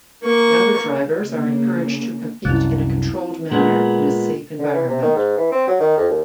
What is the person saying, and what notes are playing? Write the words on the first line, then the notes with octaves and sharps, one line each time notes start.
Younger drivers are encouraged to compete in a controlled manner in a safe environment.
A#3 C#6
C#3 A#3
C2 F#2 C4 E4
A#2 G#3 B3
D3
E3
C3
D#3
G#2
E3
C4
F#3
D#3
F2
D#2